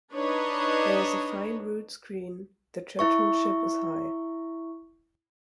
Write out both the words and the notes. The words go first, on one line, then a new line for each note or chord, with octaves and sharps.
There is a fine rood screen; the churchmanship is High.
D4 D#4 B4 C#5 D#5
E4 E5 C#6